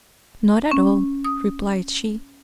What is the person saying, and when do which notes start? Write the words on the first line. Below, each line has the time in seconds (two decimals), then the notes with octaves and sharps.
"Not at all," replied she.
0.71 C#4
1.24 D#6